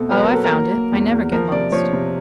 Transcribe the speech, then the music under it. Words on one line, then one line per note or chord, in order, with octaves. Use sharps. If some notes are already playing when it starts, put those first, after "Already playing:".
"Oh, I found it, I never get lost."
Already playing: B2 A3 C4 A4
F#3 B4
A#4
F#3 A4
A#4
A#3
A#3
E2
E2
F3 A#4
C3 D5
F3 C#5
C3